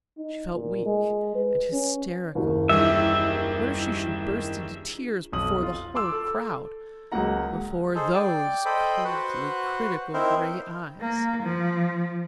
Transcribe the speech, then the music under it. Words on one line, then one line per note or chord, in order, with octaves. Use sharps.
She felt weak and hysterical. What if she should burst into tears before the whole crowd--before those coldly critical grey eyes?
D#4
A#2
G#3
B4
C#4
F#1 D#2
D#3 E3 G3 D4 F4 G#4 E5
B1 F2 D#6 F#7
F4
C6 D6 E6
A4
C#2 F#3 G#3 A#3 F#5 A#5
D#4 G#4 A4 C5
D5 G5
A4 C5 D#5 G5 B5
F#4 B4 C5 F#5
C4 D#4 E4 A#4 C5
A#3
F3